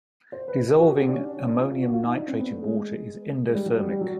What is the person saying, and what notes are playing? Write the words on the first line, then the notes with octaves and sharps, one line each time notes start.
Dissolving ammonium nitrate in water is endothermic.
C5
B4
F#4
G4
G4
D4
C#4
D4
C#4
D4
F4
F4
F#4
F4
D#4
D4
C4
B3
A3
G#3
G#3
G3
F#3
G3
G3
F#3